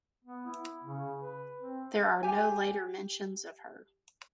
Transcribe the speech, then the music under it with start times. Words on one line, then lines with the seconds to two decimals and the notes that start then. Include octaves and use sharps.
There are no later mentions of her.
0.25 B3
0.46 E4
0.84 C#3
1.20 B4
1.59 C4
2.23 G4 G#5